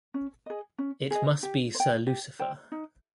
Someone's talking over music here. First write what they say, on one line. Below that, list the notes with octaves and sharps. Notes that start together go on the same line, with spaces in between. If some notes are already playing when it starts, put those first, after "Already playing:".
It must be Sir Lucifer.
C#4
G#4 D#5
C#4
G#4 D#5
G4
C5
G5
G4
C5 G5
D#4